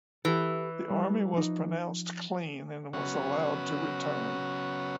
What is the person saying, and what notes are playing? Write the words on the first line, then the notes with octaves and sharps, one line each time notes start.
The army was pronounced clean and was allowed to return.
E3 G4 A4
G3
F3 D#4
C#3 F#3 B3 C#4 F#4